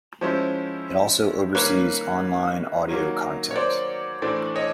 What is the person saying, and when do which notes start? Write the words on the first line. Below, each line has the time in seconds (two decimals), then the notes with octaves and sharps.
It also oversees online audio content.
0.21 F3 G#3 C#4 E4 C5
1.55 D#3 G3 A#3 B4 C#5
2.88 D#3 F#3 A#3
3.51 C#5
3.56 C5 D5
4.22 A2 E3 A3 D4 C5 D5
4.56 C#5 D#5